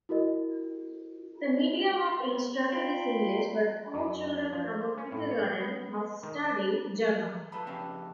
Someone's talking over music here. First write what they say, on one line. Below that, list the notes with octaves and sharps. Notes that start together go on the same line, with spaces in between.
The medium of instruction is English, but all children above Kindergarten must study German.
E4 F#4 A#4 D#5
F4 G5 B5 C6
F#2
F3
C5
C#4
A2
C#5
B3
D#5
D#3
F3 A3 F4 B4 A5 B5 E6 F#6
F2 C#3 C4 C#4 G4 F5